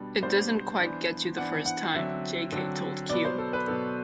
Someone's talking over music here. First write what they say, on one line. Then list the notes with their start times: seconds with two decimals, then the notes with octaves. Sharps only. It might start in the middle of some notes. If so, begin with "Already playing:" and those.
"It doesn't quite get you the first time," Jay Kay told "Q".
Already playing: B2 G3 B3 D4
0.22 B2 G3 B3 D4 C5
0.80 E3 B3 D4
1.37 E3 B3 D4 F#5
1.66 F#5
1.94 D3 F#3 C4 E5
2.52 D3 F#3 C4
3.09 B2 F#3 B3 D5
3.25 C5
3.38 A4
3.53 B4
3.67 B2 F#3 B3 A4